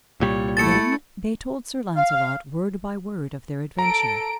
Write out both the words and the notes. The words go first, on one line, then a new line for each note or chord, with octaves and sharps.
Then they told Sir Launcelot word by word of their adventure.
C2 A#2 G3 C#5
A3 E4 A6 C#7
F5
A4 A#5 D7